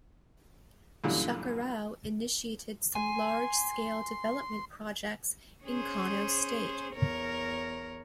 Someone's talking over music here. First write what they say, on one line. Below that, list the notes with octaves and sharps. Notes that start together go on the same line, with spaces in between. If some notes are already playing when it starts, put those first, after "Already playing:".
Shekarau initiated some large scale development projects in Kano State.
F#2 A#2 D3 E3 G3
G#5 C6
C#4 G#4 C5
E2 A#4 C#5